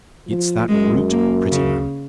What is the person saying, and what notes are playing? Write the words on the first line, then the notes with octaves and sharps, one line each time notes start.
It's that brute, Prettyman.
F3
F#2 G#3
A#3
C#3